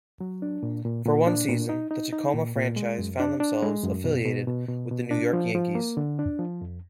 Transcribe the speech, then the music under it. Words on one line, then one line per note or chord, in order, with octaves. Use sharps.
For one season, the Tacoma franchise found themselves affiliated with the New York Yankees.
F#3
D4
A#2
A#2
A#2
D4
A#2
D#4
D#4
D#4
A#2
A#2
G#3
F#2
D4
D4
G#3
F#2
B2
B2
B2
B2
B2
D4
F3
F3
A#3
D3
D4
F3
F2